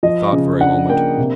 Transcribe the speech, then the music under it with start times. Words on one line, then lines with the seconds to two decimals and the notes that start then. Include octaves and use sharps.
He thought for a moment.
0.03 F3 D#5
0.33 C#3
0.60 D4 F#5
0.90 A#3 G5
1.18 C3